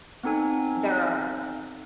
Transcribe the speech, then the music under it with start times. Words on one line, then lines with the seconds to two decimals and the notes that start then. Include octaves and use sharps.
there are
0.23 B3 C4 D#4 A4 G#5